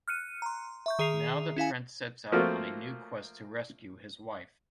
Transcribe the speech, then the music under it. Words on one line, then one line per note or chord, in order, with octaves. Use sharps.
Now the prince sets out on a new quest to rescue his wife.
F6 F#6 C#7 D#7
A#5 C6
E5 C#6 G6
D#3 G#4 E5 C7 F7
C#4 E4 F5 G#5
F3 A3 A#3 C4 F4 F#4